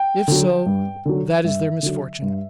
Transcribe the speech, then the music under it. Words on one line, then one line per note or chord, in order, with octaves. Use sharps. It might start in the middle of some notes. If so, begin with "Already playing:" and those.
If so, that is their misfortune.
Already playing: G5
D3 F#3
G2
D3 F#3
G2 E5
D3 F#3
G2